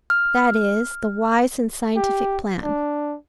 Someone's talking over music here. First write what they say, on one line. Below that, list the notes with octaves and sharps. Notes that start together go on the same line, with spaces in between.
That is the wise and scientific plan.
F6
G4
D4